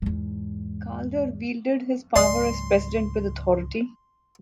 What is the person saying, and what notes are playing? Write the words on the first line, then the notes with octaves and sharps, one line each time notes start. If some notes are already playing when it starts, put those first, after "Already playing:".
Calder wielded his power as president with authority.
E2 G#2
C#2 G#2 F#3 D5 G#5 C6 D#6